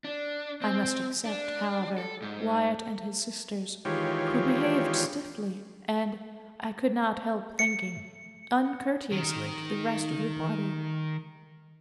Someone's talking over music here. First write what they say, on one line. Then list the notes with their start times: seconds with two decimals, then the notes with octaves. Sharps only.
I must except, however, Wyatt and his sisters, who behaved stiffly, and, I could not help thinking, uncourteously to the rest of the party.
0.04 D4
0.62 C4
1.25 D4
1.98 A4
2.22 G#2
3.85 D#3 E3 G#3 F4 G4 C#5
7.59 C#7
9.12 D#3 A#4